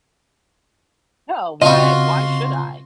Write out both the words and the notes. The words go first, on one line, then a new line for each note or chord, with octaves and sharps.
No, why why should I?
C#3 C4 F4 F#4 D#5 C6